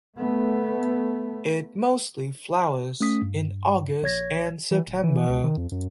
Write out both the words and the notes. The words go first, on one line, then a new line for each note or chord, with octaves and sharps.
It mostly flowers in August and September.
A3 B3
A3 C#4 D#6 B6
G2
A#1 C#5 G#6 A#6
E3
D1
E3
C#2
D#3
F2
F#2